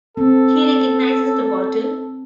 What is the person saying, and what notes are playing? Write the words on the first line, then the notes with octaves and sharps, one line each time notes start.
He recognises the bottle.
C4 A4